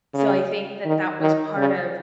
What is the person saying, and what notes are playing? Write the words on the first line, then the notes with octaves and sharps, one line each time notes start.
so I think that that was part of
C#3
D#3
D#3
C#3